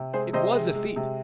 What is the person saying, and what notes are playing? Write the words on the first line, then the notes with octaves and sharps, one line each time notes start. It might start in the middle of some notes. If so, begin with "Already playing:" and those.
It was a feat.
Already playing: C3
G#3 G#4 C5
C3 C5 D#5
G#3
G#3
C3